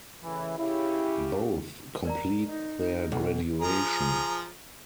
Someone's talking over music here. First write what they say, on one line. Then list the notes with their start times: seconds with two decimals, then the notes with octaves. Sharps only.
Both complete their graduation.
0.22 A2 C#3 E3
0.58 C#3 E4 G4
2.05 A#4 D5 A#5
2.45 D#4
3.12 B1
3.61 F3 G#4 A#5